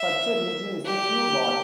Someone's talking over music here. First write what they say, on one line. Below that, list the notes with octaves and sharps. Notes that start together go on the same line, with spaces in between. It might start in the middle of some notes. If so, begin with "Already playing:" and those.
Such a region is a Q-ball.
Already playing: E5
G4